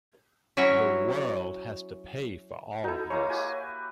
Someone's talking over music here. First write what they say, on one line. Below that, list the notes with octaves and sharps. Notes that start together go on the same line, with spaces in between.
The world has to pay for all of this.
F#3 C#4 E4 F#4 C#5
D#4 E4 F#4 A4
G#3 A#3 E4 C#5
F#4 G4 G#5